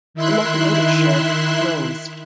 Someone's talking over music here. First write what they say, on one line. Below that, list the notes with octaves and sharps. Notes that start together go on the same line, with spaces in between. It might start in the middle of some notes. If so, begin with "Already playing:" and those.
The locomotive shed closed.
D#3 E4 E5 C6 F#6